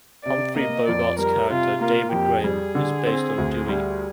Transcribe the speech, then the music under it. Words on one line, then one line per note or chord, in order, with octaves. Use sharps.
Humphrey Bogart's character, David Graham, is based on Dewey.
C3 D5
A#3 D#5
F2 D5
G3 A#4
C3 F4
A#3 F4
F2 G4
G3 G#4
D3
C4
D2
G3